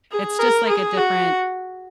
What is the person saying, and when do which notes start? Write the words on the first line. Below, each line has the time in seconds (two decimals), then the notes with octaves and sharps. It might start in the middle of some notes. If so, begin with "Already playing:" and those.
it's just, like, a different
0.11 G#4
0.40 A#4
0.69 G#4
0.97 F#4